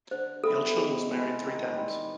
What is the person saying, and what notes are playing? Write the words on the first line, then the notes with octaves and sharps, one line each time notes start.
Hailsham was married three times.
D3 C5
G3 B3 E4 A4
B2 G#4
G#3 C4
D#3
G3 C4